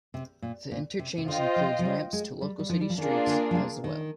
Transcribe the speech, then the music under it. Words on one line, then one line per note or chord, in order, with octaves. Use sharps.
The interchanges includes ramps to local city streets as well.
C3
A#2
A#2
C3
C3
D3 F4 C5 D#5 G5
F3
F3
G3
G#3
G3
G3
F3
G3
F3
D#3 A#3 D4 F4 G#4 D5
D3
F3
G3
D#3